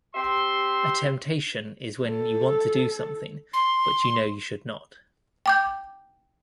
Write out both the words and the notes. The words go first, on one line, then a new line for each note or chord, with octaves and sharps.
A temptation is when you want to do something but know you should not.
C4 G4 E5 C6
A4
C6
G5 D6 G6